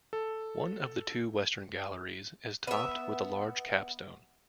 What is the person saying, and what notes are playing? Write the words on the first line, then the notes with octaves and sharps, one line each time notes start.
One of the two western galleries is topped with a large capstone.
A4
B3 E5 F#5